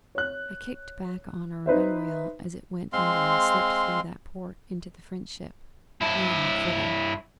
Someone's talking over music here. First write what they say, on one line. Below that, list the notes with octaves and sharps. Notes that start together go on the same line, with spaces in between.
I kicked back on our gunwale as it went under and slipped through that port into the French ship--me and my fiddle.'
C#5 F#6
D#4 B4 C5 E5
G#3 C4 F5 C6
G2 E4